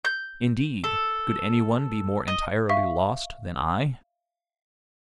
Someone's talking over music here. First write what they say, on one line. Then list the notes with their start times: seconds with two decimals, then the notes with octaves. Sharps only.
Indeed, could anyone be more entirely lost than I?
0.05 G6
0.84 A4
2.28 D#5
2.69 E5 F5 C#6